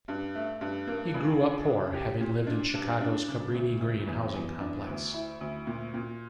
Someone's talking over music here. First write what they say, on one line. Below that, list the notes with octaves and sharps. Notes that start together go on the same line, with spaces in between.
He grew up poor, having lived in Chicago's Cabrini-Green housing complex.
G2
A3
G2
A#3
C#2
D4
C#3
G4
A#2
D4
G2
D4
C#3
D2
D2
E2
E2
D4
D2
E4
D2
A#2
A#2